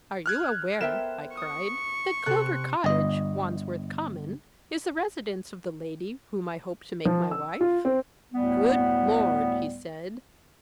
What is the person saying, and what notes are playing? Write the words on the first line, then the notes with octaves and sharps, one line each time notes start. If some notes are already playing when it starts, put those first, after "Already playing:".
'Are you aware?' I cried, 'that Clover Cottage, Wandsworth Common, is the residence of the lady whom I hope to make my wife?' 'Good Lord!' he said.
F6 F#6 G#6
B3 A4 A#4 C5 E5 G5 E7
C#6 D#6
C3 A4 C6 F#6
G1 D#5
F3
E6
F4
C4
D2 A2 G3 B3